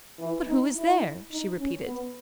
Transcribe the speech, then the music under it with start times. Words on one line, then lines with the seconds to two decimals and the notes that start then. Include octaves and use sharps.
"But who is there?" she repeated.
0.19 E3
0.47 D#4
0.75 E4
1.31 D#4
1.58 C#4
1.86 B3